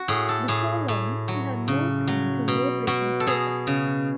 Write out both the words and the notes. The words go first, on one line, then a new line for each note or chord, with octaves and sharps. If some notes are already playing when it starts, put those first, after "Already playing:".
Before long, he had moved on to road racing circuits.
Already playing: F#4
A2 G#4
A4
A2 G#4
A2
F#3
C#3
F#3
B2
B2 F#4
A4
B2 G#4
C#3